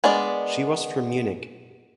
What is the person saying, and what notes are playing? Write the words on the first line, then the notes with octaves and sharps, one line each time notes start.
She was from Munich.
G#3 B3 D4 A#4 D5